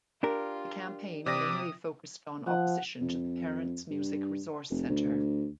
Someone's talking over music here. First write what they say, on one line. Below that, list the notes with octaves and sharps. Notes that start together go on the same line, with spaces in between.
The campaign mainly focused on opposition to the Parents Music Resource Center.
D4 F4 G4 A#4
C3 D5 D6 D#6 A#6
F3 F#5
F2
G2
F1
D2